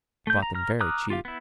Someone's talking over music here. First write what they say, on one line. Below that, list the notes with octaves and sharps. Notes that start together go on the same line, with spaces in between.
I bought them very cheap.
A3 G6
A#5
A#5 F6
A#5 D6 D#6 F6 F#6
F4 G4 F5
B3 E4